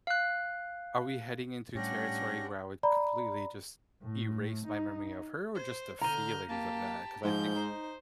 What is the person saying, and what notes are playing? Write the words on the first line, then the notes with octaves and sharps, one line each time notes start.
are we heading into territory where I would completely just erase my memory of her or just the feelings of that? Cause I think
F5 F#6
A2 G3 C#4 D4 G4 F#5 A#6
D5 A#5 B5
A2
D#4
C5
D3 A#5 F6 G6 D#7
A#3 G4 A5
G#2 F3 G6
D#4 C5